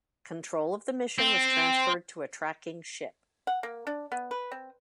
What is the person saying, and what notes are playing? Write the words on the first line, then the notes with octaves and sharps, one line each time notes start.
Control of the mission was transferred to a tracking ship.
C4
F#5
A#3
D4
B3
B4
C4